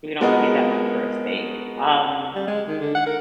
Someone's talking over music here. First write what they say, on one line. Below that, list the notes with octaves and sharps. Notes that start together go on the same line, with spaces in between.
we don't pay that much for a steak. Um,
F3 G#3 B3 F#4 A#4 D#5
G3
G#3
D#3
D3
F#5
A#4